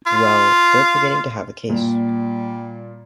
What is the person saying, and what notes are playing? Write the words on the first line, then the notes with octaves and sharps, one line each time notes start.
Well, they're beginning to have a case.
F4
A#2 G3